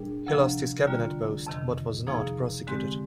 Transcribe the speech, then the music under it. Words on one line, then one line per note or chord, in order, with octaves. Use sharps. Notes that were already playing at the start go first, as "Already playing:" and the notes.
He lost his Cabinet post, but was not prosecuted.
Already playing: A#2 G3 D4 G#4
D2 C3 F3 A#3 D4
D3 G3 A#3 F4
F2 C3 D#3
C3 F3 A#3 D#4 G#4
D3 G#3 C4 G4